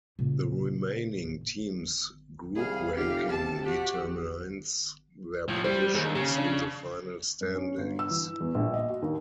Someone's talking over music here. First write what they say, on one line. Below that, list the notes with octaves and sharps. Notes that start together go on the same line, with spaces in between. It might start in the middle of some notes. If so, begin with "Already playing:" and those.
The remaining teams' group ranking determines their positions in the final standings.
A#2 C#3
C2 G#4 F5
F1 G4 F5
C3 A5
F#4 G4
A2 F3
G3 C5
D#2 G#4
C#3 G4
F3 C4 D4
F#2
C#4
G1
E6
E3
E2
A#1
D#5
F#4
D#2